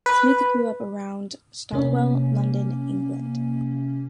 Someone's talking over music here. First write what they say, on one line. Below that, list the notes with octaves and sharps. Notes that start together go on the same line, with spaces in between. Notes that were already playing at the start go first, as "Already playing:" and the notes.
Smith grew up around Stockwell, London, England.
B4
C3 A#3 C#4